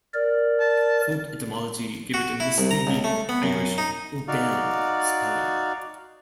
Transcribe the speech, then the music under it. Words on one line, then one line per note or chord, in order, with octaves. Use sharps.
Folk etymology gave it a misleading Irish O'Dell spelling.
A#4 D5
A5
F#4
E4
C2
A#5
C#2
A3
B3
F#2
D#4
D#4 F#4 D5 F5